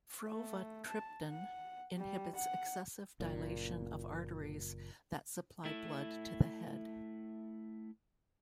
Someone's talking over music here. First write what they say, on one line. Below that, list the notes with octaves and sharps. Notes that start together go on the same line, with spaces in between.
Frovatriptan inhibits excessive dilation of arteries that supply blood to the head.
A3
A5
F#5
G3
F#5
F#1 A#2
A3 E4